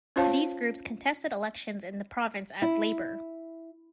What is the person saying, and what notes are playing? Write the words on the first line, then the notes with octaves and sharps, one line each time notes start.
These groups contested elections in the province as "Labour".
C#4 F4 C5 C#5 F5 A5
E4